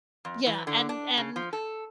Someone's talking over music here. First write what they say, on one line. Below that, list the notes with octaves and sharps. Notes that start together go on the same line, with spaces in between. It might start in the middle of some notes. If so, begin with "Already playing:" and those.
Yeah, and and,
F2
E3
D3
D4
C#3
F3
A4